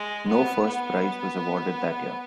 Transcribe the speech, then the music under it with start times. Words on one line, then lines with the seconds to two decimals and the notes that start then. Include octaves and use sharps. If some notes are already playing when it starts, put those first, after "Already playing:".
No first prize was awarded that year.
Already playing: G#3
0.28 B3
0.66 B3